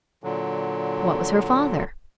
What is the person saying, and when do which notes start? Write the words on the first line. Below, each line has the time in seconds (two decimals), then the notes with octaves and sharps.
"What was her father?"
0.24 A#2 D3 F#3